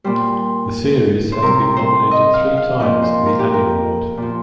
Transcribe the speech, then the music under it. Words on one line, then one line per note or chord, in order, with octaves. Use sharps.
The series has been nominated three times for the Annie Award.
A#2 G3 C5
C5
C3 G3 A#4
C5
D#5
F5
F5
A#2 F3 D#5
C5
A#4
G4
A#4
A#2 F3